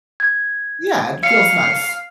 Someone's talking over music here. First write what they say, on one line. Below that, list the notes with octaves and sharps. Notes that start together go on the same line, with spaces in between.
Yeah, it feels nice.
G#6
F5 C#7